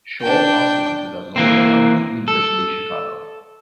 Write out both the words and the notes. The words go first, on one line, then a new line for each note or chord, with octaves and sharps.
Scholl also went to the Loyola University Chicago.
D4 G5
E3 A#3 C4
A4